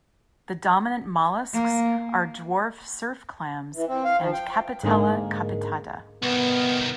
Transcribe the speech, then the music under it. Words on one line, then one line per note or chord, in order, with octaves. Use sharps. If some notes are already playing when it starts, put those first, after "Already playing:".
The dominant mollusks are dwarf surf clams and "Capitella capitata".
A#3
E3
C4
F5
F3
G5
G#2 D3 G#3 A#3
C2 D#3 B3